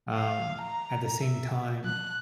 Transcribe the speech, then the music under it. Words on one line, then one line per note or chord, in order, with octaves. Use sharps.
um, at the same time,
F5
A#5
E5
F#6